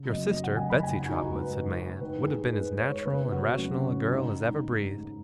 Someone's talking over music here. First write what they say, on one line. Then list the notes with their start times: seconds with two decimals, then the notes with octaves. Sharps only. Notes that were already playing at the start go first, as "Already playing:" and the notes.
'Your sister, Betsey Trotwood,' said my aunt, 'would have been as natural and rational a girl as ever breathed.
Already playing: C#3
0.09 F#2 D#5
0.26 F#2 D#5
0.44 C#3 F#5
0.57 G#5
0.61 F#2
0.70 B5
0.79 C#3 G#5
0.96 D#3
1.05 F#4
1.09 D#4
1.13 D#3
1.22 D#4
1.31 G#2 B4
1.48 G#2
1.66 G#2
1.84 G#2
2.01 D#3 B4
2.18 G#2
2.27 G#4
2.36 D#3
2.53 G#2 B4
2.70 G#2
2.80 C#5
2.88 D#3
3.05 C#3 B4
3.24 C#3
3.32 F#4
3.40 C#3
3.58 F#2 C#4
3.76 C#3
3.84 C#4
3.93 F#2
4.10 G#2 D#4
4.28 D#3
4.45 D#3
4.63 D#3
4.80 G#2
4.97 G#2